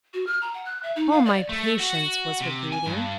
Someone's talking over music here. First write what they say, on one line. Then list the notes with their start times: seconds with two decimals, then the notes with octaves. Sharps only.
"O, my patience!" was her greeting.
0.13 F#4
0.27 F6
0.41 A#5
0.54 F#5
0.65 F#6
0.83 E5
0.96 D#4
1.11 F5
1.25 D5
1.49 A3
1.80 F#4
2.41 C3
2.72 G#5
2.86 G2